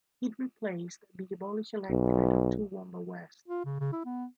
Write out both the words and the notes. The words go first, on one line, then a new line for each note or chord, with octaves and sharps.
It replaced the abolished electorate of Toowoomba West.
B1
F4
C#3
C#3
E4
B3